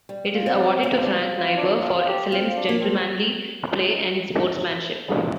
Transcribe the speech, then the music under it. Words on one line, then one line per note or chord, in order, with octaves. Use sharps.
It is awarded to Frank Nighbor for excellence, gentlemanly play and sportsmanship.
G3
F4
C4
G4
C4 F4
D4
F4
F4
D4
F4
G4
C4 F4
D4
A#3
C4